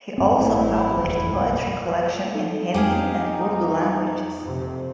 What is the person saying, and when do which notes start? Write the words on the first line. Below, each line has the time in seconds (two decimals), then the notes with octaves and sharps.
He also published poetry collections in Hindi and Urdu languages.
0.18 G2 C4
0.38 A1 A2 A3 E4
0.97 F1 E2
1.27 B1 F#2
2.34 D#4 A4
2.74 F2 D#4 G4 G#4 F5
4.41 F2 C3